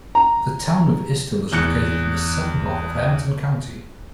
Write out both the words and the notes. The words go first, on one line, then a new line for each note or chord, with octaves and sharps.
The town of Estill is located in the southern half of Hampton County.
A#5
E2 F#6 C#7